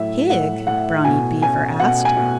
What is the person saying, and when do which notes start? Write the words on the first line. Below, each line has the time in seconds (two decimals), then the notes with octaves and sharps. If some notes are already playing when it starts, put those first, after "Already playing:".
"Pig?" Brownie Beaver asked.
Already playing: A2 F#3 E5
0.30 A2 F#5
0.67 A2 F#5
1.05 B2 G#5
1.42 C#4 G#5
1.80 B2 F#5
2.05 G#5
2.17 B2